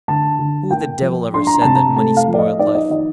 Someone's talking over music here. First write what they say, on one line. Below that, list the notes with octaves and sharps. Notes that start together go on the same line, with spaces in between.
Who the devil ever said that money spoiled life?
D3 A5
D3
A#3 G5
F3
D4 C6
A#5
C3 A5
A#5
A3 A5
F5
F3
D5
D#5
D#4 D5
D#5
D#3 D#5